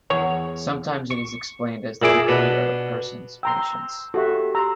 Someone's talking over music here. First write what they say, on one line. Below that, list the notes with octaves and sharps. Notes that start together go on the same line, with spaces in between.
Sometimes it is explained as the degree of a person's patience.
E2 G#4 C#5
C#6
A#2 E4 G#4 D6
B2 D4 B4
G5 A#5 C6 E6
F#4 G4 A4 E5
A#5 C6 E6